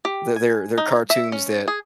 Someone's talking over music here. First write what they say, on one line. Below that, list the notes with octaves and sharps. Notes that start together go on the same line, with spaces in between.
They they're they're cartoons that
G4
G#5
D#4
E5
C#4
G#4